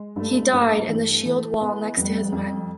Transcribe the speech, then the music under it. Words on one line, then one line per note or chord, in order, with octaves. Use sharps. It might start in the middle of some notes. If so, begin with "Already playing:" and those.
He died in the shield wall next to his men.
Already playing: G#3
G2 A3
G2 A#3
E3 A3
E3
B3
F2 G3
F2